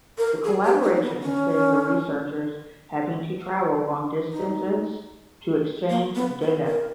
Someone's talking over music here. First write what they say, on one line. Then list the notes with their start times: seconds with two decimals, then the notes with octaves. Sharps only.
The collaboration has saved the researchers having to travel long distances to exchange data.
0.18 A#4
0.44 G#4
0.64 G4
0.83 D#4
1.02 B3
1.23 C#4
4.33 D#4
5.90 A#3
6.15 B3
6.42 B3
6.66 A#4